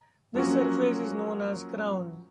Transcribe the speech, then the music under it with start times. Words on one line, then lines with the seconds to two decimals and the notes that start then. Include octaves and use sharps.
This surface is known as "crown".
0.35 F3 F#3 A#3 C#4 F#4